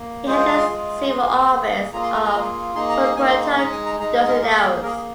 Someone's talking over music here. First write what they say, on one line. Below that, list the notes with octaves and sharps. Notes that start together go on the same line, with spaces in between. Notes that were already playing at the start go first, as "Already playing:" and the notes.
He held the civil office of Procurator ducenarius.
Already playing: A#3
G#3 F4 G#4 C5
C5
A#5
C6
G#3 F4 G#4
A#3 G#4 C6
A#3 G#4
A#3 F4 G#4 A#5
C6
A#5
A#5
A#3 F4 G#4
A#3 D#4 G#4 C6
A#5
F5
A#3 D#4 G#4 G#5
C6
C6
G#3 D#4 G#4 A#5
G#5
A#5
G#3 D#4 G#4 A#5
C5
A#4
A#3 G#4 A#4
A#4
A#3 G#4 A#4
G#4